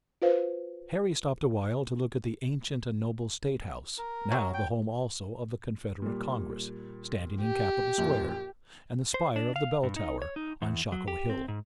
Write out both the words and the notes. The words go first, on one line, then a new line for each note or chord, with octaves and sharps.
Harry stopped a while to look at the ancient and noble state house, now the home also of the Confederate Congress, standing in Capitol Square, and the spire of the Bell Tower, on Shockoe Hill.
F4 F#4 B4 C5 F5
A#4
F#3
G5
A#2 G3
G4
A#1 F#2 A#2
C5
D4
F5
G2
D#4
C#5
D#4
E2
F#3
G4
C4
G#2